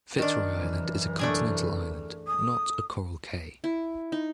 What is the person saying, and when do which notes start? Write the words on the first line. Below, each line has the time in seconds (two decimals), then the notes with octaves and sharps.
Fitzroy Island is a continental island, not a coral cay.
0.18 D#3 D4 A#4
0.53 F#2 C3 E3
1.19 A3 D4 G#4
2.27 D#6
3.64 E4
4.12 D#4